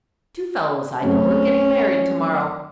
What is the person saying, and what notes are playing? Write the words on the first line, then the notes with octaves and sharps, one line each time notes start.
Two fellows I know are getting married to-morrow.
F#2 A3 C4 C#4